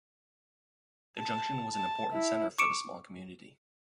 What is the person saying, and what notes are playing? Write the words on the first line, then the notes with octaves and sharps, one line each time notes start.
The junction was an important centre for the small community.
A5
A5
E4
C#6 D6 C#7 D7 E7